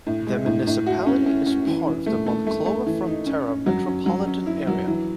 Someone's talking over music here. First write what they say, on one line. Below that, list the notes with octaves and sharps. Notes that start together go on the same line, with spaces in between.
The municipality is part of the Monclova-Frontera metropolitan area.
A2
G#3
A2
A2
F#4
C#4
C#4
C#4
E3
E3
A3
A3
A3
A3
E3
D#4
C#4
C#4
F#3
C#4
F#3
C#4
E4
F#3
E3